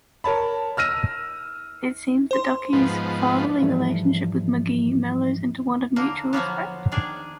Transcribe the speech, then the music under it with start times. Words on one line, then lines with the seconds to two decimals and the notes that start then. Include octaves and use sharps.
It seems that Ducky's fatherly relationship with McGee mellows into one of mutual respect.
0.24 A#4 C#5 A5 B5
0.77 E6 F6 A#6 D#7
2.31 C5 C6
2.73 G#2 F3 B3
3.62 G#2 E3 F3 G3 A3
5.96 D3 A#3
6.33 F3 F#3 A#3 B3
6.92 D#3 D4 G#4